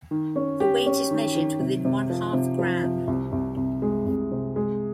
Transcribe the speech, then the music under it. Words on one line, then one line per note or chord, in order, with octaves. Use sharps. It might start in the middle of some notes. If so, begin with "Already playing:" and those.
The weight is measured within one-half gram.
D#3
C#4
G4
C#4
D#3
D#3
C3
C3
F3
C3
F3
C3
C2
C2
C2
G#3
C2
C3
G#3